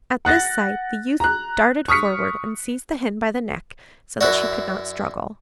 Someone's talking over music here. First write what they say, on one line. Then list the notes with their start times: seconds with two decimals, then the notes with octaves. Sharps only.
At this sight the youth darted forward and seized the hen by the neck so that she could not struggle.
0.25 F#5 F#6 A6 A#6
1.20 A#5 F#6
1.88 C#6 D#6 F6 B6 C#7
4.21 F#2 E4 F#4 D5 F#6